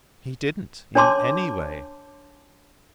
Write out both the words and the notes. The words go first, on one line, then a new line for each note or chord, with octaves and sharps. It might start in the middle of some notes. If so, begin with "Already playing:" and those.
"He didn't--in any way."
D4 C#5 A5 C6 D6